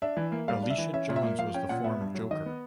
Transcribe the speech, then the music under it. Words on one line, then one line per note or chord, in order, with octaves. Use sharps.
Alicia Johns was the form joker.
D4 E5
E3
A#3
G3 F5
D4
E5
E3
C#4 E5
A#2
E5
A#3
F3 F5
C#4 G5
A#2 F#5
B3 E5
G2
F#3
D#3 D#5
B3